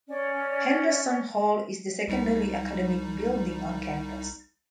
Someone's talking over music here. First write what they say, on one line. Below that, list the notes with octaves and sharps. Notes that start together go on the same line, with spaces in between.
Henderson Hall is the secondary academic building on campus.
C#4 D5
C2 G3 D#4